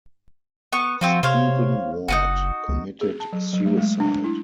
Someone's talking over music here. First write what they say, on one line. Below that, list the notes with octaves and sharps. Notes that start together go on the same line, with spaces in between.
Stephen Ward committed suicide.
B3 C#6
F3 C4 F4 F#4
C3 C5 C#5 F5
F#1 D#4 F4 F#4
C#2
G#4
A5
F#3
F#3
A3
G#3
D4
E4